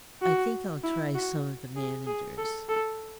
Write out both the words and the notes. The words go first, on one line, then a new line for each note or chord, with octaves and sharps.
"I think I'll try some of the managers."
F#4
E4
F#4
G#4
G#4
A4
A4